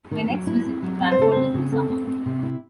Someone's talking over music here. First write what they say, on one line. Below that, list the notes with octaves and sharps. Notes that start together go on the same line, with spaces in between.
My next visit to Cranford was in the summer.
D#3
F#3
E4
C4
F#3
C4
C5
C#3 A4
C4 C5
C#3
C4 A4
C4
C4
C3
E4